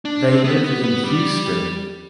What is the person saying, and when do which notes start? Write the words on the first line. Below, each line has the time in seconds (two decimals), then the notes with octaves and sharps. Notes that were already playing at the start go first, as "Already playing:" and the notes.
They live in Houston.
0.05 D4
0.25 C4
0.44 B3
0.64 B3
0.83 B3
1.03 G3